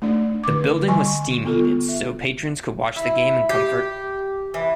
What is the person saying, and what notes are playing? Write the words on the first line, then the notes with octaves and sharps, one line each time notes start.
The building was steam heated so patrons could watch the game in comfort.
A3 D4 D5
D3 D6
G3 G#5 C6 C#6
B3 F4 A4
E5
E4
G4
E3